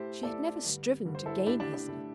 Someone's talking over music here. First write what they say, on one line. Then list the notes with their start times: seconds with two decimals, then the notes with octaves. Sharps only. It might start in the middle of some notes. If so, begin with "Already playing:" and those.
She had never striven to gain his love.
Already playing: A2 A3 G4 C5
0.23 A2 A3 A4 D5
0.64 G2 D3 G3
1.05 G2 D3 G3
1.15 C5
1.26 E4 A4
1.46 A2 A3 D4 G4
1.60 D4 G4
1.74 D4
1.88 A2 A3